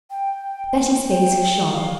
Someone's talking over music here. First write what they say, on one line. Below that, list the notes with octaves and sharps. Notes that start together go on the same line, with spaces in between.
Betty's face shone.
G5
G5
F5